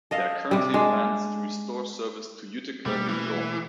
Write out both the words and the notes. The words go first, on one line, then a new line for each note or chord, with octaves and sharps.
There are currently plans to restore service to Utica, New York.
A4 D#5 F5
C3 G3
G#3 D4
B2 G3 A3 A#3
E3